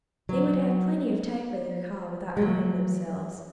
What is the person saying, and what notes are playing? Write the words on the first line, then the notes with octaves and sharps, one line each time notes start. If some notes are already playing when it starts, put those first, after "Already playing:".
They would have plenty of time for their call without hurrying themselves.
F#3
G#3
F#3